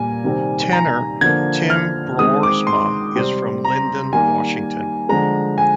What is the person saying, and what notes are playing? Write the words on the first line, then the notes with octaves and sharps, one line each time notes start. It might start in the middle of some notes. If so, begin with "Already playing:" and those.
Tenor Tim Broersma is from Lynden, Washington.
Already playing: A#2 G3 A#3 G#5
C3 D#3 G3 C4
A#5
D3 F3 A#3 G#6
F6
D#3 G#3 C4 D#6
D6
C6
C3 G3 C4
A#5
D#3 G3 A#3 G#5
D3 F3 G#3 A#5
G#5